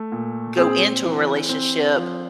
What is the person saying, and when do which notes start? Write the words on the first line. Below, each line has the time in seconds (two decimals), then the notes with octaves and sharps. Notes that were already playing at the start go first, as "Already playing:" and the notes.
go into a relationship,
Already playing: A3
0.12 A#2
0.57 C4 G#4
1.04 E3
1.49 C4
1.95 F3